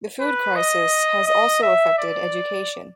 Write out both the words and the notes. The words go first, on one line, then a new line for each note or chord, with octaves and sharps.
The food crisis has also affected education.
B4
D#5
D#5
E5
D5